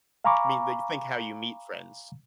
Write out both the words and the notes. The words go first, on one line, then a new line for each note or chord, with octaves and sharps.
Mean, like, think how you meet friends.
F5 G#5 A#5 B5 C#6 D6